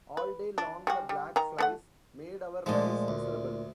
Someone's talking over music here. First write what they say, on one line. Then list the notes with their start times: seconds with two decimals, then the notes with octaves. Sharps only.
All day long the black flies made our lives miserable.
0.17 B4
0.58 D4
0.87 G3 G#3 F#4
1.09 G3
1.36 D#3 A#5
1.58 A3 B4 F#5
2.66 A#2 F3 G#3 A3
3.08 D2